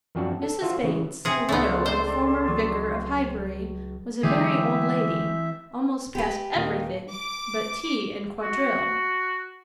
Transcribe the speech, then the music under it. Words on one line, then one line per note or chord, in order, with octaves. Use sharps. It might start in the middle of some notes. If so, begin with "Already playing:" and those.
Mrs. Bates, the widow of a former vicar of Highbury, was a very old lady, almost past every thing but tea and quadrille.
F#2 F3 C4 D4 F#4 A5
A4
F4 F#4 C5 E5 F#5
C#3 E3
C3 G#4
C#2 G#3 A3 B3 D4 A4 C6
C5
F#3 G#4
D3 E3 F#3 G#3 C4 G4 G#4 E5
G4 B4
D#1 A#3 D#5
D6
F#4